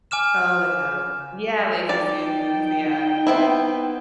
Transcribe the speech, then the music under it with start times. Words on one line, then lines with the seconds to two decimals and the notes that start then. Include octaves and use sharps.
Oh, like a yeah, Lazy Susans yeah.
0.11 G#5 D6 F6 E7
1.89 D#4 D5 G5
3.27 B3 C4 E4